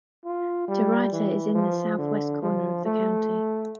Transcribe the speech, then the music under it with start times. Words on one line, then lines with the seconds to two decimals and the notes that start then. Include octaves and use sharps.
DeRuyter is in the southwest corner of the county.
0.25 F4
0.68 G3
1.12 E3
1.55 F3
1.98 D3
2.42 F3
2.85 A3